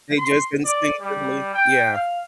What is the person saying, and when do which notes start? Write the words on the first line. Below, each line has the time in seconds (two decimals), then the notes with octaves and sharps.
They just instinctively yeah,
0.18 C6
0.65 D5
1.01 G3
1.54 G5
1.93 F5